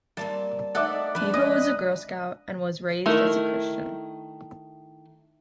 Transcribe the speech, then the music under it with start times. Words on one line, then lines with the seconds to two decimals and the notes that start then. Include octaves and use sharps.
Iva was a Girl Scout, and was raised as a Christian.
0.17 G3 A#3 C4 A5
0.75 A3 D#4 A4 D5 E5 F#5
1.15 F2 D4 B4
1.34 G#3 D#5 D#6
3.06 D#3 A3 E4 A#4